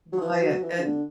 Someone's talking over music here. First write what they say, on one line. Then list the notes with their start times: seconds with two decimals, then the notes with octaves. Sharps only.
By a an
0.13 F#3
0.21 E3
0.41 F#3
0.63 E3
0.79 C#3
0.83 D3